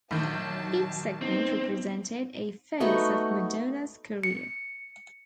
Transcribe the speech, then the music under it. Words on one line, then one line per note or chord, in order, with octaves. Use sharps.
Each segment represented a phase of Madonna's career.
A#1 D#3 F#3 A5
B3 C4 D#4
A3 B3 D#4 F#4
C#7